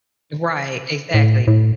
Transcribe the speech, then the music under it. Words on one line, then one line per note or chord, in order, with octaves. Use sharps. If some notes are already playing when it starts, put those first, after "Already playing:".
Right, exactly.
A2
A2